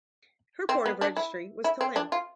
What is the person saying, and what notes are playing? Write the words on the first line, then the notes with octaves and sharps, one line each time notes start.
Her port of registry was Tallinn.
C4
B3
D4
E4
E4
C4
D4
F4